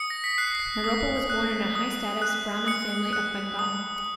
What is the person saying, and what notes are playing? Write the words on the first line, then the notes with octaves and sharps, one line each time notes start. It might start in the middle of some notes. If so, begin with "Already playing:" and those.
Naropa was born in a high status Brahmin family of Bengal.
Already playing: D#6 C#7
A#6
B6
F#6 C7
D#6
F#6
D#6
F#6
D#6 C#7
F#6
D#6